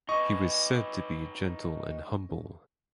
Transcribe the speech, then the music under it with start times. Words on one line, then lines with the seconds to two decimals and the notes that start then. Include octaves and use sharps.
He was said to be gentle and humble.
0.09 D#4 B4 D#5 C#6